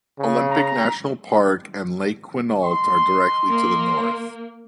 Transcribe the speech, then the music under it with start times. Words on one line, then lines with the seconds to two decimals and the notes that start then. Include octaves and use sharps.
Olympic National Park and Lake Quinault are directly to the north.
0.18 C#3
0.49 A#5
2.64 D#5 C6
3.49 A#3